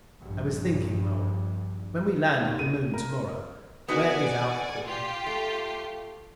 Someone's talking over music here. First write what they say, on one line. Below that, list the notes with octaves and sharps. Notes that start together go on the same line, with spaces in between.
"I was thinking, Moa--when we land at the Moon tomorrow--where is our equipment?"
A#1 G2
D#2
D#7
A#4
B3 D#4 F#4 D5 F#5 G#5
F4 G4 C7
A3